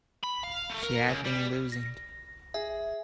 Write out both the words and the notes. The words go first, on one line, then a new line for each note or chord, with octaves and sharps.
She had been losing.
B5
F5
A3
A#4
C#2
G3
A#6
G#4 E5